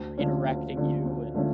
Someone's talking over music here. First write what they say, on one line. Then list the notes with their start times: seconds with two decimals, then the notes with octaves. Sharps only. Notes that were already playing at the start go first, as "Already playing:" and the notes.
redirecting you, and
Already playing: D2
0.18 D3 F3 A3 C#4
0.47 D2
0.76 D3 F3 A3 C#4
1.05 D2
1.35 D3 F3 A3 C#4